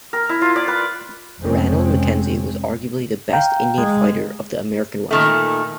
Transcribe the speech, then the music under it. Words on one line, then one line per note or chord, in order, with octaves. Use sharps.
Ranald Mackenzie was arguably the best Indian fighter of the American West.
A#4
E4
F4
D5
B4
F1 F2 G#3 C4 C#4
F5 G5 A#5
G#3
A#2 D#3 A3